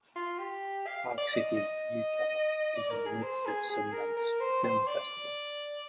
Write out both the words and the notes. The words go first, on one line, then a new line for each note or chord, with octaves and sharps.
Park City, Utah is in the midst of the Sundance Film Festival.
F4
G4
F5
D5
D#5
D#5
D5
A#4
G#4
C5
G#4
G#4
A#4
A#4
C5
C5
D5